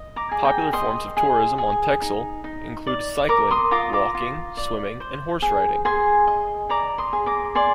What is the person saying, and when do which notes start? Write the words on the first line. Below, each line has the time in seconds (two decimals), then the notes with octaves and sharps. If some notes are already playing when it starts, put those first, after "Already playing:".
Popular forms of tourism on Texel include cycling, walking, swimming and horse riding.
Already playing: D#5
0.16 A#5 D6
0.31 G#4
0.45 G5 A#5
0.73 D#5 C6 D#6
1.17 G#4
1.58 G#4
2.02 D#4
2.44 D#4
2.87 D5
3.29 A#4 A#5 D6
3.51 C6 D#6
3.71 F4 A#5 D6
3.93 A#5 D6
4.15 F4
4.57 D5
5.00 C5
5.42 G#4
5.85 G#4 G#5 C6
6.27 D#5
6.69 D5 A#5 D6
6.98 C6 D#6
7.13 G#4
7.26 A#5 D6
7.55 D5 G#5 C6